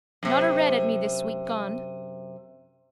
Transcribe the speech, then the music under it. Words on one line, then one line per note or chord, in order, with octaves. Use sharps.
Not a red at me this week gone.
F#2 C3